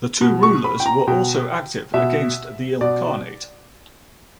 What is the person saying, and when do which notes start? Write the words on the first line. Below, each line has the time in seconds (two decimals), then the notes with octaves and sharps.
The two rulers also were active against the Ilkhanate.
0.21 B2
0.43 C#6
0.64 B5
0.80 G5
0.86 A#5
1.07 B2 G5
1.94 B2 E5
2.81 B2 D5